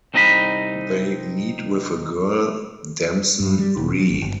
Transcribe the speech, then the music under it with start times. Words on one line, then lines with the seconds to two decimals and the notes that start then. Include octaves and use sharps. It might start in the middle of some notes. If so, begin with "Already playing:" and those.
They meet with a girl, Damson Rhee.
0.14 C2 C4 D#4 D#5 A5 B5
3.40 G2
3.59 G3
3.77 E1
3.95 F#3
4.10 G#1
4.22 G1